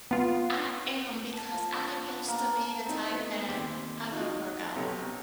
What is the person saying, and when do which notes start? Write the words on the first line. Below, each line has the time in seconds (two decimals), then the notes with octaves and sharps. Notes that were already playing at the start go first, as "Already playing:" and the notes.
I am because I used to be the type that I love to work out
0.11 B3 F4
1.33 A5
1.53 F3
1.72 D4
2.08 B3
2.28 A#3
2.85 C4 D#4
3.10 A3 B3 D#4
3.49 D#2 C4 D6
4.12 D#4 F4 F#4
4.76 B1 C3 C#4 A4 A#5